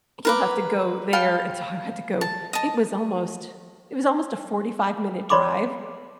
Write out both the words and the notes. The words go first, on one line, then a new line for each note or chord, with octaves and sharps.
"you'll have to go there." And so I had to go. It was almost it was almost a forty-five-minute drive
A#4 B4 D6
F5 G5 A5 B5
A5
D#5 A5
C#5 D5 B5 C6 D6